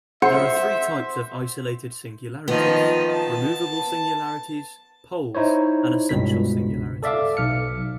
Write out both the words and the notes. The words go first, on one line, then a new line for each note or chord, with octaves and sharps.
There are three types of isolated singularities: removable singularities, poles and essential singularities.
C5 E5 F#5
D#3 F3 B3 D#5
A5
D#4 E4 C5 C#5
C#2 G2 B2 B6
A4 D5 E5 F5 D6
B1 F6 C#7